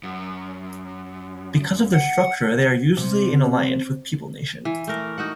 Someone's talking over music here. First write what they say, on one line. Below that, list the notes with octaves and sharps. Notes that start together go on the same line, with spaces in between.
Because of their structure they are usually in alliance with People Nation.
F#2
F#5
C3
E3
A3 A#4
D#4 F#4 F#5